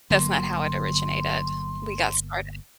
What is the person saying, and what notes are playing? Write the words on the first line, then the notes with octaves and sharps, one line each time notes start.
That's not how it originated. We got started.
G1 D3 F#3 A#3 C6